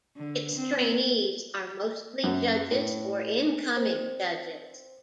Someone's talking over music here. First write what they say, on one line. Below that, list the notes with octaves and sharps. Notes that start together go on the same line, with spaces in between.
Its trainees are mostly judges or incoming judges.
D3
C4
F#2
A2
C4